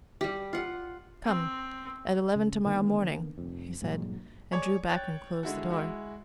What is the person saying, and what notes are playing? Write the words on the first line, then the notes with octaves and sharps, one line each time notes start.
"Come--at eleven tomorrow morning," he said, and drew back and closed the door.
G3 G4
F4 F#5
C4
C#3
D3 D#3 A#3 B3
F1 F2
G2 A#2 F#3 G#3
G#4 C#5 D5 C#6
C#5 G5 F#6 A6
D3 G#3 E4 F#4
G#3 E4 F#4